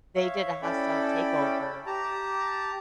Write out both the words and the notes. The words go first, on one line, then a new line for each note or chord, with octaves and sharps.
They did a hostile takeover
C#5 E5 F5
C#4 E4 A4 D5 G5 B5
G4 A5 A#5